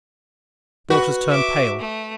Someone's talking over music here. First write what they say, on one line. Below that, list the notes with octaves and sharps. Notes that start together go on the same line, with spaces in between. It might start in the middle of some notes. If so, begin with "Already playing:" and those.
Daughters turn pale.
F#4 B4
E5 D6
A3